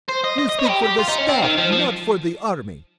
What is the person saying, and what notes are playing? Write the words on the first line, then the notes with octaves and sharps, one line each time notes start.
"You speak for the Staff--not for the Army!"
C5
D#5
D#5
D#5
C#5
G4
G4
F4
D#4
C#4
C4
D#3
F3
F3